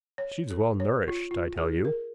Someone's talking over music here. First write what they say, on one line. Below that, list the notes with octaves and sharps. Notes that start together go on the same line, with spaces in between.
She's well nourished, I tell you.
C#5
A4
C#5
F4
F4
G#4
A#4